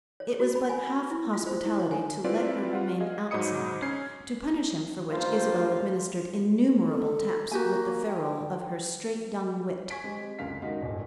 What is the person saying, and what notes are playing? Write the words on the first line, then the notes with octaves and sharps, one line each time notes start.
It was but half-hospitality to let her remain outside; to punish him for which Isabel administered innumerable taps with the ferule of her straight young wit.
C#5
F#4
B5
G#5
B5
E4
F4
C5
E4
C#5
G#5
C4 E4 F4 B4 D5
F4 F#5
G#4 D#5 F5
G#2 F#3 D#5 B5 D#6 C#7
C#4 G#6 C7
G2 G3 A3 A#3 F4 C5
A4
A#3 F#4 G4 G#5
G5
G#5 C#6 G#6 B6 D7
G#3 C4 G4
F1 C#2 F#2 F5 B6
F#2 D#3 G#3 D#4 F#4
D1 G1